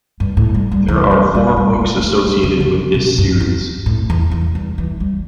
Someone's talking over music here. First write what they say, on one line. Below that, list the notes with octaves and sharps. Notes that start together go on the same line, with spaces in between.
There are four books associated with the series.
G2
A2
G3
G3
E3
G3
G3
G3
A3
A3
G3
D3
D3
B2
G2
E2
A2
E2
E2
G2
E3
G3